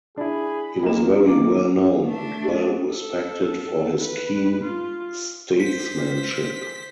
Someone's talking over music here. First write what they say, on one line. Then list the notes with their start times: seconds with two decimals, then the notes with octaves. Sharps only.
He was very well known and well respected for his keen statesmanship.
0.18 D4 E4 G#4 B5
0.83 A#3 D#4 F4 E7
1.27 D6
2.05 A3 D4
2.92 A4
4.02 B4
4.64 F4
5.60 C5 B6